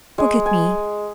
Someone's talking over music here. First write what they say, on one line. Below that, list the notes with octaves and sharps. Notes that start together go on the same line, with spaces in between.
Look at me.
G#3 G#5
G#5